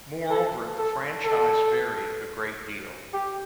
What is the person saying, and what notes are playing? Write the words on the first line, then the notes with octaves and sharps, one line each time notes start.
Moreover, the franchise varied a great deal.
A4
A4
A4
G4